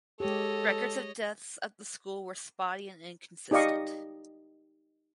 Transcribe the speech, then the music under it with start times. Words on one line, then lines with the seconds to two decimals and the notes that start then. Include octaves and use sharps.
Records of deaths at the school were spotty and inconsistent.
0.20 G#3 G4 A4 C#5 D#5
3.51 D#4 G4 D5 D#5 F5 C#6